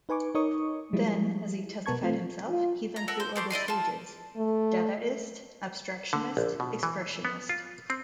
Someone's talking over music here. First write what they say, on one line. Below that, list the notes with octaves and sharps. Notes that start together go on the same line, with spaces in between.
Then, as he testified himself, he went through all the stages: "Dadaist, Abstractionist, Expressionist".
D#4 B4 G#5 C#6 D6
D#4 A#4 C#5 C#6 D#6
F3 G3 G#3 E4
B2 B3 A#4 A5 C#6 G#6
A3 C4 F4
F4
A#5
A4 A#4 E5 F#5
C5
A3 C5 D6
E4 D5 D#5 C6
F4 A5
A3
D3
A#1
B2
E3
B3
F4
C4